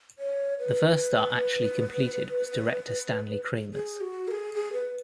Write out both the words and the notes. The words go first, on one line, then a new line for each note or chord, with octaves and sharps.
The first star actually completed was director Stanley Kramer's.
C#5
B4
G#4
F#4
A#4
G#4
G#4
B4